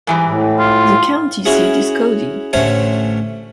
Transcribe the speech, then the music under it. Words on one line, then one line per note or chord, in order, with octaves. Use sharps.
The county seat is Cody.
G#2 E3 G3
A2
F4
C#4 E4 F#4 G#4
A1 D3 A3 C#4 C5 C#5